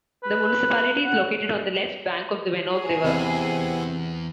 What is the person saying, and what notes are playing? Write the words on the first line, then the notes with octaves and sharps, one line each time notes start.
The municipality is located on the left bank of the Venoge river.
B4
F#5
G#4
E2 C3 B3 C4 E4